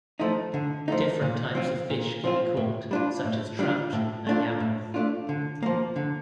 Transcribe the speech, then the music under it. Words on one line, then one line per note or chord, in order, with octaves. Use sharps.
Different types of fish can be caught such as trout and yamame.
F3 A3 D#4
D3
F3 A3 D#4
A#2
F3 C4 F4
A#2
F3 C4 F4
A2
G3 D4 F4
A2
G3 D4 F4
A2
A3 D4 F4
A2
A3 D4 F4
D3
F3 A#3
D3